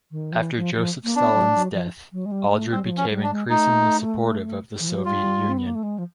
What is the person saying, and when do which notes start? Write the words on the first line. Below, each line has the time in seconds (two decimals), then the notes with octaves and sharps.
After Joseph Stalin's death, Aldred became increasingly supportive of the Soviet Union.
0.11 D#3
0.32 F3
0.37 E3
0.56 F3
0.76 F3
1.04 A#3
1.15 B3 D4
1.34 F#3
1.54 F#3
1.73 F3
2.13 F#3
2.25 G#3
2.32 G3
2.52 A3
2.72 G3 C4
2.84 F#3
2.90 F3
2.97 C#4
3.10 G3
3.23 D4
3.30 G#3
3.49 A3 D#4
4.80 E3
4.88 F3
4.96 F#3
5.05 G3 F4
5.49 C4
5.57 B3
5.66 A#3
5.75 A3
5.83 G#3
5.98 F3